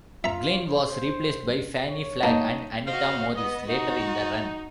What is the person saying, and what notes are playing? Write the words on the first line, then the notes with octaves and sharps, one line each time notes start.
Glynn was replaced by Fannie Flagg and Anita Morris later in the run.
F4 E5 A#5
C5
C#5
A#3 D#4 D#5 A5
F#4 C5 D#5 F5
B3 D#5
D#4 F#4